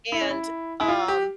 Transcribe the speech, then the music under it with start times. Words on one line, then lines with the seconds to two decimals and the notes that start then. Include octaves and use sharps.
and, um,
0.12 E4
0.21 C#4
0.30 E4
0.81 E4
0.88 F4
1.08 G4